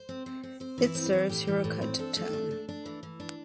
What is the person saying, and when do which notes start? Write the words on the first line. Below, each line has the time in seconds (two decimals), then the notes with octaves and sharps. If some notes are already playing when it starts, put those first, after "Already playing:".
It serves Hirakud town.
Already playing: C5
0.09 C4
0.26 C4
0.43 C4
0.60 C4 C5
0.78 E3
0.84 E4
0.95 C4
1.06 G4
1.12 E3
1.29 A2 G4
1.47 E3
1.64 A2
1.82 C4
1.99 D4 A4
2.17 A3
2.33 D4
2.51 D4
2.68 D4
2.86 E3
3.03 E3
3.20 D4